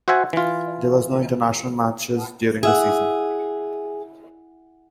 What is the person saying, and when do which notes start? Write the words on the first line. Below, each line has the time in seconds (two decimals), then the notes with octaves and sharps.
There were no international matches during this season.
0.08 F#4 C5 E5 F#5 G#5
0.33 E3 F4
2.63 E4 G#4 E5 F#5